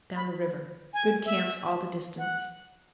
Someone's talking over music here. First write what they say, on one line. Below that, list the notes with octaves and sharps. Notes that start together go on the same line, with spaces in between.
Down the River.--Good camps all the distance.
B5
G#5
E5
F#5